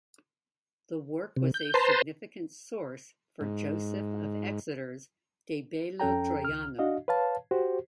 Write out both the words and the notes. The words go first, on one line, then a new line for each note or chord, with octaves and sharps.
The work was a significant source for Joseph of Exeter's "De bello Troiano".
C3
G6
B4 C5 A5 A#5 C6
G#2
F2 C#4 A4 G5 A#5
C#2 F6
D4 F#4 D#5 F5
B4 C#5 F5 A5
F#4 G4 C5